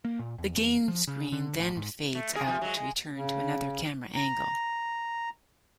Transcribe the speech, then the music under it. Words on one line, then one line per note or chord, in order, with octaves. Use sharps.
The game screen then fades out to return to another camera angle.
A#3
A#2
E2
E2
F3
C#3
D3
A1
G#2
A3
A#3 G#4
C3 F3
F#3 G#3
G#3
C#3
A#5